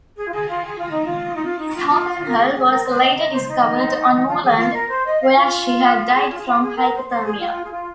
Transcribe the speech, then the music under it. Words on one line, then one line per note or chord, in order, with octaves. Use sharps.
Miss Hockenhull was later discovered on moorland, where she had died from hypothermia.
G#4
F4
G#4
F4
G#4
F4
D#4
F4
D#4
F4
D#4
F4
F4
A#4
G#4
G#4
A#4
C5
D#5
D#5
C5
D#4
F4
G#4
F4
A#4
C5
D#5
F5
F4
G#4
F4
G#4
F4
G#4
A#4
C5
C5
G#4
F4
G#4
F4